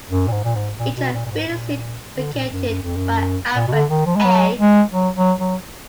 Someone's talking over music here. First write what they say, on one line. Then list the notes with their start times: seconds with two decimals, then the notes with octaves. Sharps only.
Eicher filled a seat vacated by Alfred A.
0.09 F#2
0.28 A#2
0.32 G#2
0.45 A#2
0.55 G#2
0.78 A#2
0.96 B2
1.13 A#2
1.26 A#2
1.31 G#2
1.47 A#2
2.17 D3
2.34 A#2
2.52 F#2
2.69 F#2
2.83 F2
2.97 F#2
3.55 A#2
3.67 B2
3.72 D3
3.90 D#3
4.06 F3
4.16 G#3
4.25 F#3
4.58 G#3
4.93 F#3
5.17 F#3
5.39 F#3